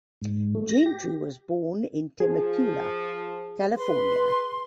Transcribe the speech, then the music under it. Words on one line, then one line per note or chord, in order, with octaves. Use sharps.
Gentry was born in Temecula, California.
G#2
A3
A#6
G4
F3 G#4
B4 C6